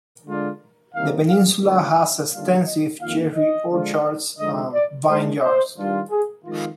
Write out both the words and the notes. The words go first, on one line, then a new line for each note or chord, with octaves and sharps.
The peninsula has extensive cherry orchards and vineyards.
D3 G#3 D4 F4
C2 C3 D#3 A#3 D#4 F5
F5
D#2 D3 G#3 C4 F4
D#2 D3 G3 D4 F4 F5
D#5
F2 D#3 A#3 F4 F5
D#5
D3 F3 G#3 D4 F4
F2 D3 G#3 C4 D#4 D#5
D5
D#2 D#3 G#3 D4 C5
C5
G2 D#3 G3 D4 F4
G#4
F2 D#3 G#3 F4